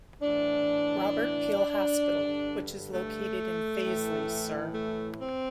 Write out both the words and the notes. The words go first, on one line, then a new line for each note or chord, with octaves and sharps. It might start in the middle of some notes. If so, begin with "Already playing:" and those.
Robert Peel Hospital which is located in Fazeley, Sir.
A2 E3 D4
G2 D3
A3
A2 E3
A3
C4